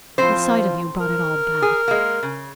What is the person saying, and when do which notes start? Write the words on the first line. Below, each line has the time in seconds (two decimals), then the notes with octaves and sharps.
The sight of you brought it all back.
0.18 A2 F3 C4 C5
1.00 A#4
1.62 G#4
1.88 G#3 A#3
2.23 C#3